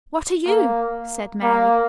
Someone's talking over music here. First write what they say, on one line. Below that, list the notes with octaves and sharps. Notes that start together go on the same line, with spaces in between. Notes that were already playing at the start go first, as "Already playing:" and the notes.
"What are you?" said Mary.
A#3
A#3